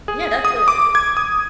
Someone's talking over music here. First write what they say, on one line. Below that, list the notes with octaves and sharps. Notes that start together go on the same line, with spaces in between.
Yeah, that's a
G#4
D#6
D6
G#6
D#6